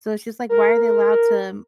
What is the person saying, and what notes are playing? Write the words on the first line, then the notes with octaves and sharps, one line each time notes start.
so it's just, like, why are they allowed to
A#4